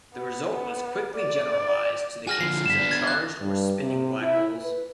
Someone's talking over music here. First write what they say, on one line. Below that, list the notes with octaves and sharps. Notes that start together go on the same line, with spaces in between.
The result was quickly generalized to the cases of charged or spinning black holes.
B3
D5
F#4 G#4 G#5 F6 A#6
D3 F3 C7
G2 D3 B6 E7
B3 D4
G#6 A6
F#6
G2
C3
E4
B4